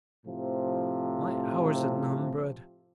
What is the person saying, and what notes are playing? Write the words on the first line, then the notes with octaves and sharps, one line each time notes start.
My hours are numbered.
A2 C3 F3